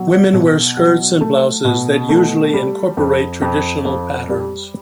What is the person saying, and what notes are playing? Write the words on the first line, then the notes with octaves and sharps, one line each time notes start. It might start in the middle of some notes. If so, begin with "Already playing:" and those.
Women wear skirts and blouses that usually incorporate traditional patterns.
Already playing: B2 F#3
B2
F#3
A3
B2
A3
G3
F2
F2
F2
G3